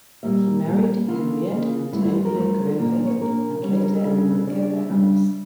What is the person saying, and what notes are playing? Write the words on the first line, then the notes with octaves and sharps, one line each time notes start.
He married Henriette Antonia Groenewegen and later Enriqueta Harris.
A#2 G3 A#3 E5
A#2 G3 A#3
C#3 E3 A#3 F4
C#3 E3 A#3
G2 F3 A3 E4
E4
G4
A#4
G2 F3 A3
A#2 F3 A#3 D4 D5
D5
C#5
A#2 F3 A#3 D4 A#4
C#3 G3 D4 C#5
C#5
A#4
A4
C#3 G3 D4 A4
A4
A4
C#3 G3 D4 D5
D5
E5
C#3 G3 D4